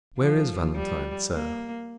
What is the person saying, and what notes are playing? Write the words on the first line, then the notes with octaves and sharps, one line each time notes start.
Where is Valentine, sir?
F3
G3
A#3